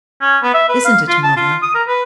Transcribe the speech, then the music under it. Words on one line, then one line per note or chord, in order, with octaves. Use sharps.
Isn't it, mother?'
C#4
B3
E5
B4
F5
F4
A5
F4
D#6
A#4
B4